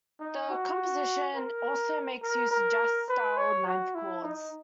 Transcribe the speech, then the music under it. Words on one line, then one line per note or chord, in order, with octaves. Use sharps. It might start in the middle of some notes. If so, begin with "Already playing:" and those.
The composition also makes use of jazz-style ninth chords.
D#4
F#4
A#4
A#4
A#4
B4
C#5
F#4
E4
D#4